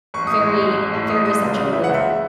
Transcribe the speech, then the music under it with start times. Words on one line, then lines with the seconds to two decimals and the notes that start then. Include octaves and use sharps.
very, very central, like,
0.14 A1 C#6
0.27 A2 D#6
0.39 C#6
0.46 G#3
0.62 A1
0.77 A1
0.94 A2
1.09 G#3 D#6
1.25 A1 D#6
1.42 C#2
1.57 C#3
1.73 E3 E5
1.84 F#5
1.89 C#2
1.94 E5